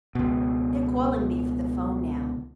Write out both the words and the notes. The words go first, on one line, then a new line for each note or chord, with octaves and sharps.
They're calling me for the 'phone now.
C#2 B2